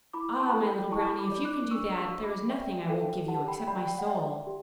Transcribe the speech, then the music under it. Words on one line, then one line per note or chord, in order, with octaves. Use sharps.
'Ah! my little brownie, if you can do that, there is nothing I won't give you, except my soul.'
E4 B5 D6
A5 C#6
A4
G5 B5
E4 A5 C#6
B5 D6
D5
D6 F#6
D4 C#6 E6
C#6 E6
F#4
B5 D6
D5 E5 G5
A4 E5 G5
G4 F#5 A5
G5 B5
D5 G5 B5
G5
F#5
D5 E5 G5
G4